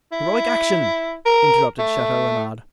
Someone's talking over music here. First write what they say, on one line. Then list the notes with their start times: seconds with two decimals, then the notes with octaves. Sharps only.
"Heroic action," interrupted Chateau-Renaud.
0.12 E4
1.26 A#4
1.79 A3